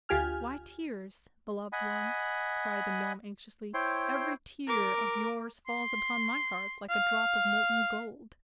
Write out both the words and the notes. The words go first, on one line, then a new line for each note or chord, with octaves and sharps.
'Why tears, beloved one?' cried the gnome anxiously; 'every tear of yours falls upon my heart like a drop of molten gold.
D2 F4 G4 G#5 F6
D#5 F#5 G#5 B5
E4 C5 C#5 G5 C6
A#4 D6
C6
F5